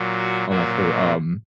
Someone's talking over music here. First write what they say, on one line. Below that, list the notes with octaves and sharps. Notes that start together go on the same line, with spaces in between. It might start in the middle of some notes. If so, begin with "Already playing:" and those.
on, like, her, um
Already playing: A#2 F#3
F#4
A#2 F#3 F#4